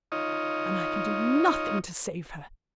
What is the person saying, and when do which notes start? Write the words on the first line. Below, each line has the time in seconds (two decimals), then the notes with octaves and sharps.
And I can do nothing to save her.
0.12 D#4 F4 C#5 D#5